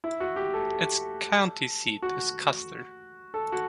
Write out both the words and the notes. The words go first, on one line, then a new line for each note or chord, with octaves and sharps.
Its county seat is Custer.
E4
F#4
G4
A4
F#4
A4
F#4